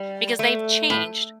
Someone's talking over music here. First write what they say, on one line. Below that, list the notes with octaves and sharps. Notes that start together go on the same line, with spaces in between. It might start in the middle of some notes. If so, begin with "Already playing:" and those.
because they've changed
Already playing: G3
A3
A2